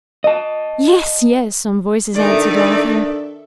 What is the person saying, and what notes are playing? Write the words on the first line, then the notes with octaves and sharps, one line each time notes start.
"Yes, yes!" some voices answered, laughing.
D#5 A5
D#3 D4 D#4 A4 D5 E5